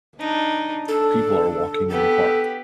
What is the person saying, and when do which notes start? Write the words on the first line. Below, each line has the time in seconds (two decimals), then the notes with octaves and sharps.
People are walking in the park.
0.20 D4 D#4
0.88 D4 A4
1.90 B3 G4 A4